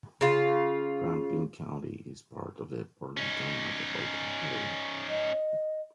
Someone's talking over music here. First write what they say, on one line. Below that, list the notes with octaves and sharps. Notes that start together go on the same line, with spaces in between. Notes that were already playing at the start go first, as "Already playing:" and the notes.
Franklin County is part of the Burlington metropolitan area.
C#3 F4
C#4 D#4
D#5